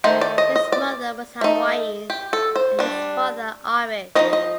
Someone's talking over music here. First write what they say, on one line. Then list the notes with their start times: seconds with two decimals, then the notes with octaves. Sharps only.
His mother was Hawaiian and his father Irish.
0.04 D#3 A3 D#4 C5
0.21 D5
0.38 D#5
0.56 D#5
0.72 D5
1.41 A3 D#4
2.10 G4
2.33 A4
2.56 C5
2.79 G3 D4
4.15 F3 C4 D#4 D#5
4.33 D#5